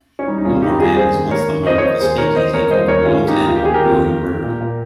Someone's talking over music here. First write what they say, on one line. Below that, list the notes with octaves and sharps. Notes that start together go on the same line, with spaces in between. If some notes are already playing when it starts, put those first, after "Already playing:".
Wilbraham was once the home of a speakeasy called "Worlds End" on Burleigh Road.
C#4
G3 D#4
D#4
D#2 C#4 F4
D#2 D#4 G4
G3 F4 G#4
D#2 G#4 C5
D#2
D#2 A#4 C#5
D#3
D#3 C5 D#5
C#5
A#3 C5 D#5
D#2 G#4 C5
D#3 A#4 C#5
D#2 C5 D#5
D#2 A#4 C#5
G3 C5 D#5
D#2 A#4 C#5
D#3 C#4 F4
G#3
D#4 G4
D#2
F4
D#2 G4
G#4
D#2 G4 A#4
D#2
D#2
D#2
A#2
A#2